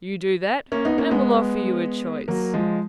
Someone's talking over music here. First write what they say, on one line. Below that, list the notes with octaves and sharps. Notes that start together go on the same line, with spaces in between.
You do that, and we'll offer you a choice.
A#3 C#4
B3 D#4
A#3 C#4
G#3 B3
F#3 A#3
F3 G#3